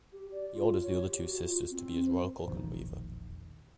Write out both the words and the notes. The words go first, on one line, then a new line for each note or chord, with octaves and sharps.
He orders the other two sisters to be his royal cook and weaver.
G4
D5
F4
C#5
G4
F#4
F4
C4
C5
E1 A#1 D#3